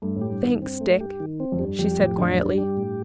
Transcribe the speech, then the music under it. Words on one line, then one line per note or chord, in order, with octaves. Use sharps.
"Thanks--Dick," she said quietly.
G2 A3
A2
G4
G2
D#3
C4
A3
G4
D#3
C4
F2
G2 G3
F2 G4
F2 A2
F2 D4
F2
G2 G3
G4
A2